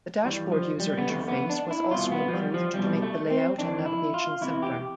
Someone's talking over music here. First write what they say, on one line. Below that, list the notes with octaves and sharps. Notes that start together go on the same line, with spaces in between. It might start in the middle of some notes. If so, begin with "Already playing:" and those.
The dashboard user interface was also improved to make the layout and navigation simpler.
G2 E3 G3
F3
G3
B3
F2 D3 A3
B3
D4
E4
C2 B2 F4
B3
F3
G3
F3
C2 B2 G3
A3
C4
F2 E3 D4
E4
F4
E2 C3 E3 E4
G4